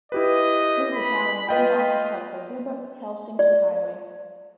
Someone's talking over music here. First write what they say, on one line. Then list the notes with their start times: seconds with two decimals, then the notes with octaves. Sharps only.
His battalion went on to cut the Vyborg–Helsinki highway.
0.12 E4 G4 B4 D#5
0.94 B5
1.49 F4 B4 D#5 G5
3.39 D5